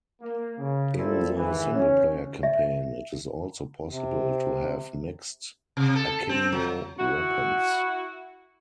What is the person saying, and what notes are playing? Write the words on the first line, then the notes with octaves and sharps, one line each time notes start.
In the single player campaign, it is also possible to have mixed akimbo weapons.
A#3
C#3
A#2 G3 C4 E4 A4
G#2 D#3 E3
C#4
E5
C3
C3
A4
C4
F#3
E4 F#4